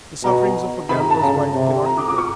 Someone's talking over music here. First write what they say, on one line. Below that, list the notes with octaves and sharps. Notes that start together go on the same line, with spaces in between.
The sufferings of a gambler's wife cannot be told.
B2 A#5
C3 B5
A#5
A5
C#3 A#5
C3
A#5
D6
D6
C#6